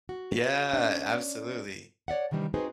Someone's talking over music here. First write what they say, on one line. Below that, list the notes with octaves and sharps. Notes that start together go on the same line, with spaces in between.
Yeah, absolutely.
F#4
C#4 D4
C#5 D5 E5 F#5
C3 D#3 E3 G3 D4
C4 D#4 F#4 G#4 B4 C5